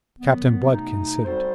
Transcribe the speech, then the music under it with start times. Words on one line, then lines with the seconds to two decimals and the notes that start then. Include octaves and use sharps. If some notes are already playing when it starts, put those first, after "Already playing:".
Captain Blood considered.
0.18 D#3 F#3 B3
0.71 B2 A3 D#4
1.24 G3 C4 F#4 A4 C5